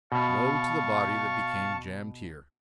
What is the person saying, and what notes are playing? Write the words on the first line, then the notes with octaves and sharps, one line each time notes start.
Woe to the body that became jammed here!
B2 F5 A5 C#6